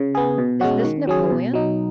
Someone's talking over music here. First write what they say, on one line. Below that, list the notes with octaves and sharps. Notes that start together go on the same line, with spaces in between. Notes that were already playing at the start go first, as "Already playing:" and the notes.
"Is this Napoleon?"
Already playing: C#3
B3 G#4
B2
G#3 C#4 F#4
D#3
F#3 C#4 G#4
B2
F#3 D#4